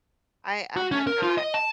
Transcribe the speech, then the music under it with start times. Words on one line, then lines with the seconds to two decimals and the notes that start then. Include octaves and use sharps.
I I had not
0.77 F#4
0.92 C#4
1.07 A#4
1.23 F4
1.38 D#5
1.54 A5